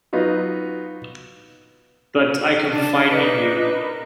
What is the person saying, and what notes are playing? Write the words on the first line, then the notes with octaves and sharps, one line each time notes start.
But I confide in you.
F#3 B3 D#4 F4 F#4
D4 A5
D4 D#4 B4
A#4